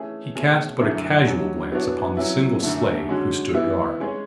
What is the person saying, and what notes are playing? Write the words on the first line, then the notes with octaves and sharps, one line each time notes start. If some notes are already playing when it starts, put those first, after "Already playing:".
He cast but a casual glance upon the single slave who stood guard.
Already playing: E3 A3 C#4 G#4
B2 A3 C#4 G#4
F#2 D3 A3 E4
D3 F#3 C#4
E3 B3 D4 F#4 C#5
F#3 C#4 E4
F#2 D3 A3
D3 G#3 C#4 F#4
E3 B3 E4
G#3 C#4 G#4 C#5